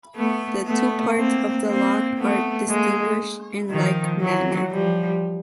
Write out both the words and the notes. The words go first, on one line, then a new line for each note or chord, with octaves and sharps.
The two parts of the lock are distinguished in like manner.
A3 B3
A3 B3
A#3 C4
A#3 C4
A3 B3
G#3 A#3
D#3 F3
E3 F#3
F3 G3